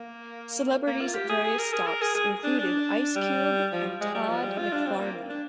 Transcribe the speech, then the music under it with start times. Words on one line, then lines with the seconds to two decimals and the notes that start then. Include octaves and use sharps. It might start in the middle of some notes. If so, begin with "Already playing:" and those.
Celebrities at various stops included Ice Cube and Todd McFarlane.
Already playing: A#3
0.87 A#3
1.01 F4
1.15 G4
1.29 G#4
1.44 G#4
1.59 A#4
1.73 G#4
1.87 A#4
2.02 G#4
2.15 G#4
2.44 D4
2.59 D4
3.16 G3
3.72 F3
4.01 G#3
4.15 G3
4.29 F3
4.43 G3
4.58 F4
4.72 D4
4.87 C4
5.00 A#3
5.29 D4